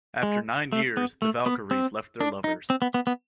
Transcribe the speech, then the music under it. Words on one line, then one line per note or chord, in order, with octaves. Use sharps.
After nine years, the Valkyries left their lovers.
G#3
A3
B3
A3
B3
C4
D4
D#4
C4
B3
B3
B3